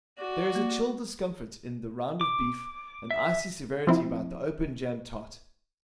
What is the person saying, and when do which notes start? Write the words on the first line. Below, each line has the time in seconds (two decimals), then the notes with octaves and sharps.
There is a chill discomfort in the round of beef, an icy severity about the open jam tart.
0.19 F#4 D5
0.55 A#3
2.21 D6
3.11 E5
3.87 F3 C4 E4